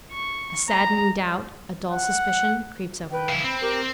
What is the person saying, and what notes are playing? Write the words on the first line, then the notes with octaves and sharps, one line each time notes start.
A saddening doubt, a dull suspicion, creeps over me.
C#6
A#5
F#5
B4 G5
C#3 E4
C4 B5
G4 A#4